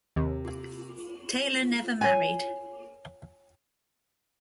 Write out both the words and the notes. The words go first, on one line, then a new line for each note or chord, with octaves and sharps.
Taylor never married.
D#2 C3
C#5 G#5